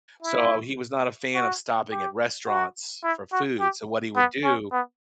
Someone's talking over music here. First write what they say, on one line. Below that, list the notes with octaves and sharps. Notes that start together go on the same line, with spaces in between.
So, he was not a fan of stopping at restaurants for food, so what he would do,
E4
F#4
G4
F#4
E4
F#4
G4
B3
C#4
B3